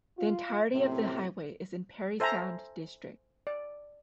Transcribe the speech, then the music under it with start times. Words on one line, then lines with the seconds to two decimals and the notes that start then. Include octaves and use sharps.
The entirety of the highway is in Parry Sound District.
0.18 F4
0.73 F#2 A2 C3 C4
2.20 A4 C5 E5 G#5 A#5
3.47 D5